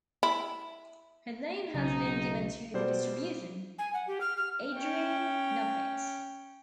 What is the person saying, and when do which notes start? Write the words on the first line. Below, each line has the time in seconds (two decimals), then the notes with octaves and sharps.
Her name has been given to the distribution: Adriane Knoppix.
0.23 E4
1.74 B1 C#3 D#4 D#5
2.74 B2 G3 C5 D5
3.78 G#5
3.94 F#5
4.08 G4
4.21 F6
4.37 F6
4.75 C#4 G5